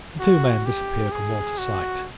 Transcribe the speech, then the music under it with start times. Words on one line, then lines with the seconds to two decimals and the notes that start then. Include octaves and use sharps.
The two men disappeared from Walter's sight.
0.19 F#4
0.66 G4
1.12 G#4
1.58 F#4